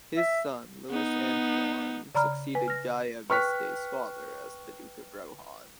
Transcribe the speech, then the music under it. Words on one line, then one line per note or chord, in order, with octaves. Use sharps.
His son Louis Antoine succeeded Guy Auguste's father as the Duke of Rohan.
E5
B3 D#4
C#3 D5 A#5 B5 F6
B4 G#5
F6 A#6
B4 G5 C#6 F6 F#6 B6